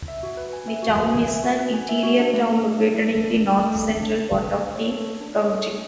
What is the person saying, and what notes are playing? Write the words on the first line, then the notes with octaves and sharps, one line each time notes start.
The town is an interior town located in the north-central part of the county.
E5
F#4
B4
G#5
E5
F#4
B4
G#5
E5
F#4
B4
G#5
E5
F#4
D4
A3
A4
A3
D4
A3
A4
A3
D4
A3
A4
A3
D4
A3
A4
A3
D4
C#5
A4
A3
D4
C#5
A4
A3